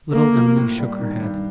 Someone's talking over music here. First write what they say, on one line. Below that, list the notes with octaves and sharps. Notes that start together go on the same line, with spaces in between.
Little Em'ly shook her head.
A3 A#3
F3
A2
G3
D#3
G2